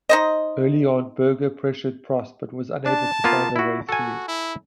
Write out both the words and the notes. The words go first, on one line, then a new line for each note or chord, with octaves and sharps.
Early on, Berger pressured Prost but was unable find a way through.
D#4 C5 D#5
D4 A5
A#3 B3 F4
E4 F#4
F#4 A4 G#5
E4